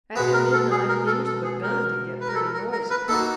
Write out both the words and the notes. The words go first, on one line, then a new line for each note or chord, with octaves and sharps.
After midnight things begun to get pretty noisy.
B2 G#3 B3 B4
A#4
A4
G#4
A#4
A4
A4
G#4
A#4
B4
A#4
A4
A#4
A#4
B4
A#3 D#4 F#4 A4